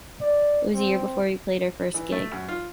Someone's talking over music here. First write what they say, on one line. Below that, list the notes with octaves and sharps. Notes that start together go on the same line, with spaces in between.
It was a year before we played our first gig.
D5
C4
E3
A3
F#2
F4